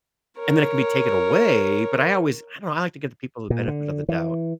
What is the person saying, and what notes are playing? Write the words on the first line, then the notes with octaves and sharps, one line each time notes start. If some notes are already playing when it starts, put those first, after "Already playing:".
and then it can be taken away, but I always I don't know, I like to give the people the benefit of the doubt.
A#4 C#5
A#2
D3
E3